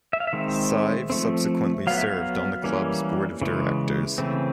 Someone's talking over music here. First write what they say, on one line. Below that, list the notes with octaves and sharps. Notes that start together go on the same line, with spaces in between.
Sive subsequently served on the Club's Board of Directors.
E5
F5
E5
D#3 G#3 C4
F3 A3 C4
F#3 B3 F5
E5
F5
E3 G3 A#3 C#4
C#3 E3 G#3
C#3 E3 A3 C4